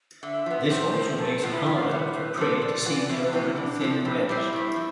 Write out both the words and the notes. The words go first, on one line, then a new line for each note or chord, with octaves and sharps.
This also makes it harder for prey to see their already thin webs.
D3 E5
F3 B3
D5
A2 C5
F3 C4 E4
E2 A4
C3 F3 B3 F4
E4
D3 E4
F4
E4
G3 B3
C5
A2 B4
G3 D4 A4 C5
C5
F2 D5
E3 B3 F4
D5
F2 E5
B4
C3 E3 B3
E4
C3 D4
F3 C4 E4 A4
C3 E4
D4
G3 C4 E4
G2 E4
F3